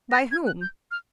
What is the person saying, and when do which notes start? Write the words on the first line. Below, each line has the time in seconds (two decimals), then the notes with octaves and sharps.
"By whom?"
0.11 A#6
0.31 G#6
0.47 F#6
0.61 G6
0.91 F6